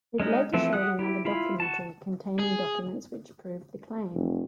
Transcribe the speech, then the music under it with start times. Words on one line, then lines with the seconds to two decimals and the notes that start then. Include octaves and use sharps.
It later showed another documentary containing documents which proved the claim.
0.20 G#3 C#4 D#4
0.54 E3 F3 A3 C4
0.73 G4 F#5 D#6 F#6
0.99 E4 G4
1.25 E4 F4 B5
1.60 F#4 A5
2.39 G#4
4.14 F1